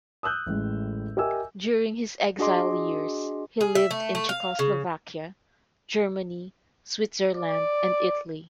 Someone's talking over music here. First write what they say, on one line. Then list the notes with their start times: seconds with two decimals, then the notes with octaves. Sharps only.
During his exile years he lived in Czechoslovakia, Germany, Switzerland and Italy.
0.23 D#6 E6 F#6 G6
0.46 A1 A2 G#3
1.17 G4 A#4 D#5 E5 G#5 E6
2.39 D4 F#4 G#4 D#5 C6 D6
3.61 G#4
3.75 E5
3.91 A3
4.15 A3
4.29 F5
4.59 C#3
7.32 D5